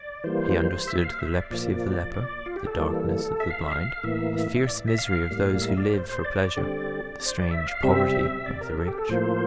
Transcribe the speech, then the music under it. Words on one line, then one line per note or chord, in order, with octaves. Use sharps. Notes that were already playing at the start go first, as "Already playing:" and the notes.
He understood the leprosy of the leper, the darkness of the blind, the fierce misery of those who live for pleasure, the strange poverty of the rich.
Already playing: D5
E3 G3 A#3 C5
E5
F5
E5
D5
A#2 F3 A#3 D5
D5
F4
G4
A4
E3 G3 A#3
E5
F5
E5
F5
A2 E3 A#3 E5
E5
D5
E5
F5
A2 G3 A#3
E5
D5
C5
C5
D5
D3 G3 C4
C5
D5
E5
F5
C3 G3 C4 E5
D5
A#4
A4
G4
A4
A2 F3 A#3 C5